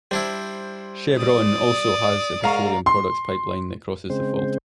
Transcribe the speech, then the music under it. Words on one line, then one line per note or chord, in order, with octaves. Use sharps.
Chevron also has a petroleum products pipeline that crosses the fault.
G3 D4 E4 C5
D5 D#6
G#2 A#4 F5 A#5 C#6
C6
C#3 G#3 C4 C5